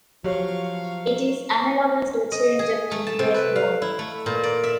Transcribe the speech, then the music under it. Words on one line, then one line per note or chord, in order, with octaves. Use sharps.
It is analogous to a changeup in baseball.
F3 F#3 G4 C#5 F5 C#6
D#5
G#4
A3
A5
C3
B4
F5
E4
A3
A#2
D5
E5